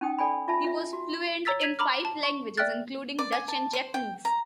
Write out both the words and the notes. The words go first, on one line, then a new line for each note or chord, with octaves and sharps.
He was fluent in five languages, including Dutch and Japanese.
C#4 D#4 G5 D#6
A4 D5 G5 G#5 B5
F4 E5 A5 B5
F4 E5
F#4
C#5 A#5 E6 A6 B6
G#6 B6 D#7 F7 F#7
A#5 B5 D6 F6
A5
C#6
D5 E5 G5 F6 F#6 A6
D5
G#5
A5
C5
G5
A#5